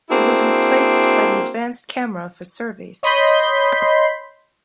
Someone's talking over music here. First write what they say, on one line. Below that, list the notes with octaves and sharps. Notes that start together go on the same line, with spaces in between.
It was replaced by the Advanced Camera for Surveys.
A#3 C4 D4 E4 F#4 G#4
C#5 D#5 B5 C6 G6 B6